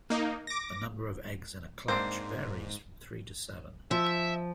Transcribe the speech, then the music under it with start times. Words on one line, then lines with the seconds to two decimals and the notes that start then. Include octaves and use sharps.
The number of eggs in a clutch varies from three to seven.
0.10 A#3 D#4
0.47 D6 A#6
1.88 G#2 A#3 C4 D4 C5
3.91 F3 E5